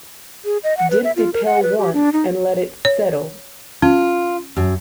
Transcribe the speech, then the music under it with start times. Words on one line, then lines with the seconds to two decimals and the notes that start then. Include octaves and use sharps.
Dip the pail once and let it settle.
0.45 G#4
0.63 D#5
0.77 F#5
0.90 B4
1.04 E5
1.16 F4
1.33 A#4
1.46 F#5
1.63 B4
1.78 G4
1.94 D4
2.13 D#4
2.85 C#5
3.82 C#4 F4
4.56 F#2